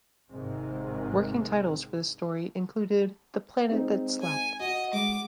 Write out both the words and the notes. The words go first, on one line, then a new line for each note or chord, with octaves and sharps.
Working titles for this story included "The Planet That Slept".
G#1 G#2 C3 D#3 G#3 C4
G#3 C4 D#4
G#5
F#4 D#5
G#3 D6